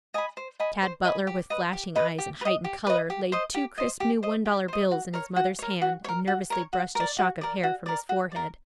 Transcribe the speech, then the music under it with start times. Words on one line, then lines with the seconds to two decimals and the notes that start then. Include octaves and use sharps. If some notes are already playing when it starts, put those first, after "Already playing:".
Tad Butler, with flashing eyes and heightened color, laid two crisp new one dollar bills in his mother's hand, and nervously brushed a shock of hair from his forehead.
0.14 D#5 G#5 B5
0.37 C5
0.60 D#5 G#5 B5
0.82 C5
1.05 D#5 G#5 B5
1.27 G4
1.50 B4 D#5
1.73 G4
1.96 B4 D#5
2.18 G4
2.41 B4
2.45 D#5
2.64 G4
2.87 B4 D#5
3.10 G4
3.32 C5 D#5
3.55 G4
3.78 C5 D#5
4.00 G4
4.23 C5 D#5
4.45 G4
4.68 C5 D#5
4.91 F#4
5.14 A#4 C#5
5.36 F#4
5.59 A#4 C#5
5.82 F#4
6.04 C#5
6.09 A#4
6.27 F#4
6.50 A#4 C#5
6.73 F#4
6.95 A#4 D5
7.19 F#4
7.41 A#4 D5
7.63 F#4
7.86 A#4 D5
8.09 F#4
8.32 A#4 D5